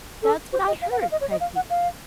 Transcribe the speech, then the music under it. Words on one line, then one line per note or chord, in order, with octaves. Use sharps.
"That's what I heard," cried Peter.
A4
C5
D#5
F5
F#5
F5
D#5
C#5
D#5
F5
F#5
F5